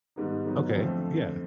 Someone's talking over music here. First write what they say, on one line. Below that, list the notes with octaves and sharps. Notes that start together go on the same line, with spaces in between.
Okay. Yeah.
G#2 D#3 G3 B3 D#4
G#2 D#3 F#3 B3 D#4
F2 D3 F3 A3